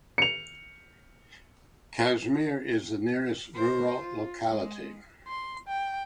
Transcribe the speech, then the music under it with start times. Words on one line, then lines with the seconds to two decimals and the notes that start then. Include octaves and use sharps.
Kazimir is the nearest rural locality.
0.18 C#7 F7
3.54 A#4 C5
3.99 F4
4.49 G#3
5.28 C6
5.68 G5